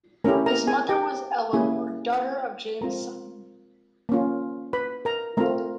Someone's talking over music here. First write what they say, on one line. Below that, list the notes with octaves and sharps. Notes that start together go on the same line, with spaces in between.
His mother was Eleanor, daughter of James Sutton.
A3 C#4 E4 G4 A#4 A#5
A#4 A#5
G#4 G#5
G4 G5
A#3 C#4 E4 G4 G#4 G#5
G#3 C4 F4 A#4 A#5
A#3 C#4 F4
B4 B5
A#4 A#5
A3 C4 F4 A#4 A#5